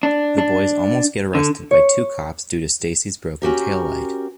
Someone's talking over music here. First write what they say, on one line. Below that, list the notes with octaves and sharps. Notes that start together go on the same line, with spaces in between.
The boys almost get arrested by two cops due to Stacey's broken taillight.
D4
D4
D3
C#5
C#4 F#4 G4 A#4